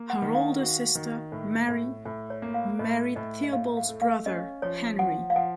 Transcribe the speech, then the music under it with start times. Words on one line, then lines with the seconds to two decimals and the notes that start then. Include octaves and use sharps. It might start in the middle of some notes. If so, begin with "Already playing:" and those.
Her older sister, Marie, married Theobald's brother, Henry.
Already playing: A#3
0.10 F#5
0.22 D#3
0.35 F5
0.58 F#4
0.95 D#3
1.32 A2
1.69 A2
2.05 A2
2.30 C#5
2.42 A#3
2.54 F5
2.79 A2 D#5
3.15 A2 D#5
3.44 D#5
3.53 A2 F5
3.77 F5
3.89 A3
4.02 F5
4.26 C#4 D#5
4.62 F3 C#5
4.99 F3 F#5
5.30 F5
5.36 F3 F#5